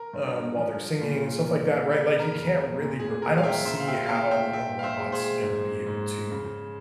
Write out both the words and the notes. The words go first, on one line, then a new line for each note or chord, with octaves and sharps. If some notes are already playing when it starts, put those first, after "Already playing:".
um, while they're singing, stuff like that, right? Like, you can't really r I don't see how a robot's gonna be able to
Already playing: A#4
G2
F3
A#2
A#3
C#3
A#4
F2
A#2
G#4
A#2 A#4
F5
E5 G5
C#3 C5 E5
F5
E5 G5
F5
A#3 E5 G5
E5 G5
A#2 E5 G5
F5
C5 E5
G#3
G#4 C5
G#2
G#2
C#3